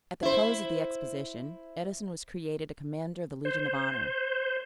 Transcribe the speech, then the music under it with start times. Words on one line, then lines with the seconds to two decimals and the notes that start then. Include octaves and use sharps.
At the close of the Exposition Edison was created a Commander of the Legion of Honor.
0.23 E4 C5
3.45 C5